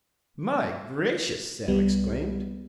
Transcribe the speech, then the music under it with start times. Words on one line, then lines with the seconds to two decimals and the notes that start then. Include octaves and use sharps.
"My gracious!" Sam exclaimed.
1.68 C2 G3 B3